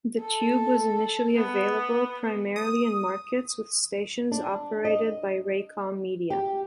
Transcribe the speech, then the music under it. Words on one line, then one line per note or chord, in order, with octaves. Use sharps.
The Tube was initially available primarily in markets with stations operated by Raycom Media.
A4
B3
D#6
D4
D#5
G4